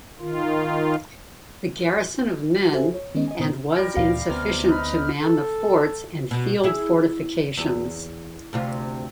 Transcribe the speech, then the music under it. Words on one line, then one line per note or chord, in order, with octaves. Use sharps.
The garrison of men and was insufficient to man the forts and field fortifications.
D#3 F4
F#4 G4 A4 C5 E5 G#5
C#5
D#3 G#3 B3 C#4 D#5
D#5 G#5
A#2 C#3 B3 C5 D#6
G3 A#4
D2 A#2 E3 F5
D2 C3 B3 F6
D#4 B4 B5
A4
B2
E4 G#4
E2
D2 C3 F4